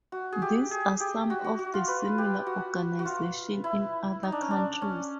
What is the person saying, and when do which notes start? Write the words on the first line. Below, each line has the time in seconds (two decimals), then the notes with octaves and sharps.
These are some of the similar organisations in other countries.
0.12 F#4
0.32 G#4
0.42 G4
0.71 G#4
1.00 G4
1.30 F#4
1.44 F#4
1.59 F#4
1.74 F4
1.88 B4
2.18 G4
2.47 F#4
2.99 F#4
3.06 F4
3.64 E4
4.23 D#4
4.32 D4
4.41 C#4
4.51 D4
4.82 C#4